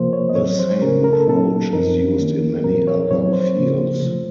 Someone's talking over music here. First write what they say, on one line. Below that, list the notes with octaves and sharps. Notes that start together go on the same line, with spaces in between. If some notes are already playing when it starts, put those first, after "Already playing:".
The same approach is used in many other fields.
Already playing: C3 F3 A#3 C5
C#5
D#5
A2 F#3 C4 C#5
C5
C#3 A3 C#4 A#4
A#4
A4
A#2 F#3 A#3 D#4 A4
F#2 F3 C4 D#4 A#4
D#3 A#3 C#4
A#2 F3 C4 A#4
C#5
A2 F#3 C4 D#4 C#5
C5
C#3 F3 A#3
C3 F3 A3